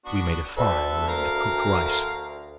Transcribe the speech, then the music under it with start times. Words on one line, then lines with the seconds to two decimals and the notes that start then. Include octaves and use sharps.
We made a fire and cooked rice.
0.06 B3 D4 F#4
0.57 D2 A4 B4 E5
1.08 A#4 F5 A#5